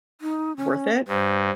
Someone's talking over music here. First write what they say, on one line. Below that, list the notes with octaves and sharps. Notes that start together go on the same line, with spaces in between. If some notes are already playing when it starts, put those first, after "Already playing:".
worth it?
D#4
C#4
G2 C5